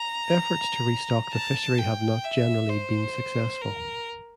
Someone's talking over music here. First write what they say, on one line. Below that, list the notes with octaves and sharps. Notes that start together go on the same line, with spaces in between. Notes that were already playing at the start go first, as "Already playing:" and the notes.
Efforts to restock the fishery have not generally been successful.
Already playing: A#5
A5
G5
E5
C5
A#4